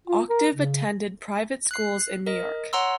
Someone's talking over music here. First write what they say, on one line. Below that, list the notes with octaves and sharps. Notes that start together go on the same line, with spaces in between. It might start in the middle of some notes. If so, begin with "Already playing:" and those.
Octave attended private schools in New York.
F4
A#4
C#3
F#6 C7
A#4 D#5
C#5 F#5 A#5 C6 E6